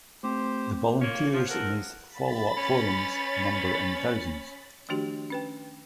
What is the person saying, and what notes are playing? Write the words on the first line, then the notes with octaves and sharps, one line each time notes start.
The volunteers in these "Follow-up Forums" number in the thousands.
A3 C4 G4 C5
D#3 A#3 F4 C#5
F3
E2 A4 A#4 F#5
B5 A6
C#4
D#3 F3 A3 D4 F#4 G4
C#4 B4 G5